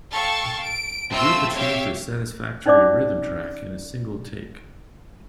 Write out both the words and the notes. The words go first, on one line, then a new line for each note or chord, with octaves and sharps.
The group achieved a satisfactory rhythm track in a single take.
A4 F5 G5 A5 C#6
D7
A3 C4 F4 E5 E6
G4 C#5 E5 F5
C#4 D#4 C5 D5 E5 D6